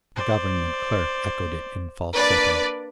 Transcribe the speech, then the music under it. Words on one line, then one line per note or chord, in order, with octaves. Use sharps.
The government clerk echoed it in falsetto.
C5 D5
A#3 D4 B4 D5